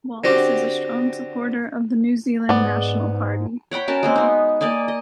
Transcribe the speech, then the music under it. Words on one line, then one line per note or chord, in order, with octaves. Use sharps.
Wallis is a strong supporter of the New Zealand National Party.
D3 C4 F#4 G4
G#2 B3 D5
C#5 F#5 G5 B5
C#4 F#4 A#4 A5
G#3 A#3 C4
B3 D#4
A#3 D5 D#5 G#5
D#5